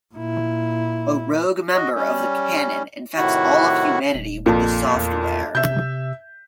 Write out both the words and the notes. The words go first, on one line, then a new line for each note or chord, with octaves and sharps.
A rogue member of the Canon infects all of humanity with the software.
A#2 E4
F#4 D#5
G3 C#4
A2 C3 D#3 E4 F#4 F#5
D#1
A#1 F2 A#2
E2
C3 E5 G6